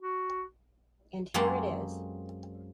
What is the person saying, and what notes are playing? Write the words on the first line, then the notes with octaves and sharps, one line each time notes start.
And here it is.
F#4
F#2 G#3 A#3 C4 G4 A4